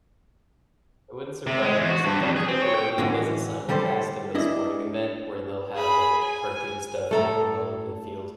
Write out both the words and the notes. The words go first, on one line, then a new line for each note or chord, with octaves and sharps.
It wouldn't surprise me; sometimes Nickelodeon does a simulcast of a sporting event where they'll have, like, cartoon stuff happening all over the field.
C3
G#3
E2
F#4
G2
F2
G#4
C4
C#5
G5
A2 D3 E3 G#3 C#4 F#4
D3 G3 G4 A4 C5
D4 E4 D#5
G#4 B5
G#5
A2 A3 A4 A#5